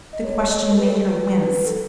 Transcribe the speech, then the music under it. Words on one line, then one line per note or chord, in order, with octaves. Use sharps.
The question made her wince.
D#5
C#5
C#5
D#5
C#5
A4
B4
A4
B4
A4